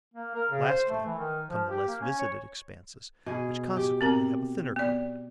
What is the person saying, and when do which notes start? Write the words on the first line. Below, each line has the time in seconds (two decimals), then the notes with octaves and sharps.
Lastly come the less-visited expanses, which consequently have a thinner carpet.
0.14 A#3
0.35 A#4
0.50 C#3
0.67 C5
0.88 A3
1.05 E3
1.18 D#3
1.49 F3
1.69 G4
1.87 A#3
2.01 C#4
2.19 C#5
3.26 B2 G#4
3.77 G4
4.01 C4 A#4 A#5
4.76 B3 D5